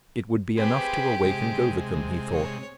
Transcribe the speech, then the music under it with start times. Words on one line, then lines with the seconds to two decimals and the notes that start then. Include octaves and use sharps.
It would be enough to awaken Govicum, he thought.
0.57 C4 G4 G#4 B4
1.24 C3 G#3
2.33 C#5